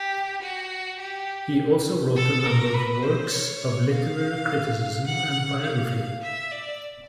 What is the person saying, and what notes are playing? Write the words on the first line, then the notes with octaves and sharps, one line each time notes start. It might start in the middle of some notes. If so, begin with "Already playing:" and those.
He also wrote a number of works of literary criticism and biography.
Already playing: G4
F#4
G4
A4
A#4
B4
C5
C#5
F5
F#5
F5
E5
D5